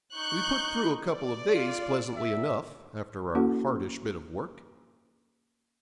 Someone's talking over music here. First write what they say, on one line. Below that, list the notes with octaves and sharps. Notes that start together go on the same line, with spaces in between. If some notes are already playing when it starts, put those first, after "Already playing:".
We put through a couple of days pleasantly enough, after our hardish bit of work.
D#4 C#6 F#6 G6
D5
F4
E5
A#3 C#4 E4 F#4 A4 F#5